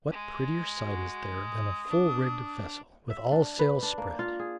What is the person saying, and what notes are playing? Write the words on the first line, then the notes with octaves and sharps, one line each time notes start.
What prettier sight is there than a full-rigged vessel with all sails spread!
G#3
F#4
D#6
D4
E5
D4
B4
D4
A#3
F4
G#4